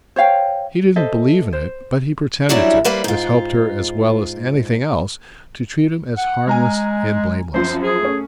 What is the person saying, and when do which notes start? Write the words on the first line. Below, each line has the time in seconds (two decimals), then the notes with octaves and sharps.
He didn't believe in it, but he pretended to; this helped her as well as anything else to treat him as harmless and blameless.
0.16 C5 C#5 F5 G5
0.96 A4 C5 D#5 E5
1.53 C5
2.49 E3 F#3 G3 C#4 D4 E4
2.84 G3 A#3 B4 C5
3.04 G#2 F4
6.17 F#5
6.47 G#3 G#5 A#5 F6
7.54 F#2 F3 C4 C5
7.83 G#4
8.00 A3 C#4